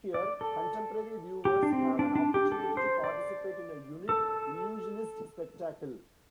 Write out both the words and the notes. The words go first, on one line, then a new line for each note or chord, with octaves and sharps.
Here, contemporary viewers have an opportunity to participate in a unique illusionist spectacle.
D5
A4
G4
D4
C4
D4
D4
G4
A4
C5
D5
A4